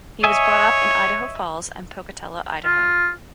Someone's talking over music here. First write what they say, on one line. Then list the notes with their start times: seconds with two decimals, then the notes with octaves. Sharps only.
He was brought up in Idaho Falls and Pocatello, Idaho.
0.24 C#5 D#5 E5 G#5
2.65 F4